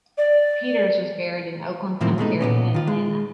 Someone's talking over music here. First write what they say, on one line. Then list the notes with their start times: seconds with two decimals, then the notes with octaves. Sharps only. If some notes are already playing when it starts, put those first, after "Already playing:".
Peters was buried in Oakland Cemetery in Atlanta.
0.17 D5
2.01 A2 D#3 F3 A#3 C4 E4
2.18 B2 G#3 A3 D#4
2.40 A#2 B3 C#4
2.74 D#3 F4
2.87 G#3